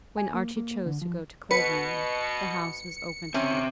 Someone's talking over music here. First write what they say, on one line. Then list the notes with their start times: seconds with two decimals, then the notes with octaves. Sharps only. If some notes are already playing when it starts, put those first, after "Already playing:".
When Archie chose to go to Clavering, the house was open to him.
0.17 G#5
0.34 A#3
0.57 A#3
0.86 D3
1.02 F3
1.51 B2 B4 C#7
3.34 C4 C#4 E5